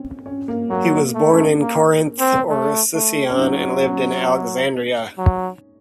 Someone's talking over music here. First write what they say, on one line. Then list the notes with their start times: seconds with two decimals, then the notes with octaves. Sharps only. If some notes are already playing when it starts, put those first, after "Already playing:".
He was born in Corinth or Sicyon, and lived in Alexandria.
Already playing: C4 C#4
0.26 C#4
0.48 A#3
0.70 F#3 A#3
1.15 A3
1.30 C#4
1.60 A#3
2.20 C4
2.49 A3
2.94 A3
3.30 C#4
3.38 F#3 D#4
3.84 C#4
5.18 F#3